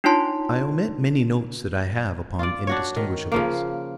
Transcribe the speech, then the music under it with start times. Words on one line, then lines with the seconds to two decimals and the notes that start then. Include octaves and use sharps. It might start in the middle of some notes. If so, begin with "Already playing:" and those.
I omit many notes that I have upon indistinguishables.
0.04 D4 D#4 F4 C#5 A5 C6
2.39 F4 D5
2.67 D4 F#4 C#5
2.96 D#3
3.32 C#3 F3 A#3